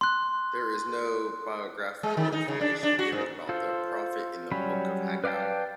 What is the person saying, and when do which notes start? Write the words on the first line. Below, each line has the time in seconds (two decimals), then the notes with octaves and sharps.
There is no biographical information given about the prophet in the Book of Haggai.
0.01 C6 F#6
2.03 G#3
2.17 D#3
2.32 D#4
2.48 C#3
2.61 D4
2.83 D4
2.99 F#4
3.12 G#2
3.49 F4 A4 C5
4.52 F#3 G3 C#4 B5
5.24 B4 D5 F5 G5 A5